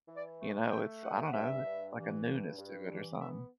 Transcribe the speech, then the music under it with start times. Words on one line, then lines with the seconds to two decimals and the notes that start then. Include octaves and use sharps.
you know, it's, I don't know, like a newness to or something
0.08 E3
0.16 D5
0.39 A3
0.71 A3 G5
1.02 G2 F#5
1.27 F#5
1.33 G2 E5
1.64 G2
1.96 E3
2.27 G2
2.58 G2
2.89 E3
3.21 B3 E5